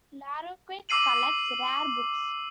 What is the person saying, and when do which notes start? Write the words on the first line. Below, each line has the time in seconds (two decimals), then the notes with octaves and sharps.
Larroquette collects rare books.
0.89 D6 E6 C7 D#7 F#7